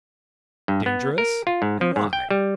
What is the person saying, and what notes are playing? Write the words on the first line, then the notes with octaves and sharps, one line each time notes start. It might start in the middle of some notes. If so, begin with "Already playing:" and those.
"Dangerous!--and why?"
G2
B3
A#4
F4
G#2
F3
G#2
G5
G3